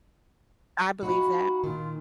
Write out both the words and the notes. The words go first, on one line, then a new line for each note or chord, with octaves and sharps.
I believe that.
D#4 F4 F#4 B5
A#2 D#3 F4